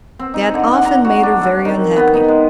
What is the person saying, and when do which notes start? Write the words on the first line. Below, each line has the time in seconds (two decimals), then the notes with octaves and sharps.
They had often made her very unhappy.
0.19 C4
0.34 D#4
0.54 D3
0.73 F#5
0.85 A#5
1.05 F#4
1.23 D4
1.41 C4
1.65 D#3
1.96 B3
2.14 D#4
2.28 G#3